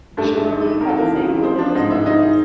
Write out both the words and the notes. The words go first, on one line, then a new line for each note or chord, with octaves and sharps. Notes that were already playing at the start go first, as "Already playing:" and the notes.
Generally you have the same religious beliefs.
G2 A3 A4
G2
D#3
D#3
F2 A#4
A4
E3 A#3 A#4
C#3
E3
F3 C4 C5
F3 D4 D5
G#2 D#4 D#5
G#2 E4 E5
D#3 D#4 D#5
D#3